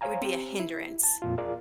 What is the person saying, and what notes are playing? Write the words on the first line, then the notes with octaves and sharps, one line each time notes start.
it would be a hindrance
C5 C#5 F5 G#5 A#5
C4 G4
E4
A5
F2 A#2 F4
F4 G#4 A#4 D5 F5